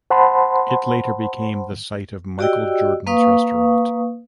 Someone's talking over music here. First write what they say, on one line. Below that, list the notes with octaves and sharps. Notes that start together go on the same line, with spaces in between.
It later became the site of Michael Jordan's Restaurant.
C5 F#5 A5 B5 C6
F#4 G4 D5 D#5 G5 E6
A#3 B4 F5 C#6 D#6